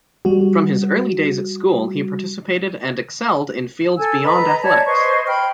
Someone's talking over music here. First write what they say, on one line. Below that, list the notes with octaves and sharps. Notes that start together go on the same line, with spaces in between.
From his early days at school he participated and excelled in fields beyond athletics.
G3 F#4
A4 G#5 E6
B4 D#5 A#5 B5
C#5 D5 A5 G#6
B4 C5 D#5 C#6
G5 B5 F6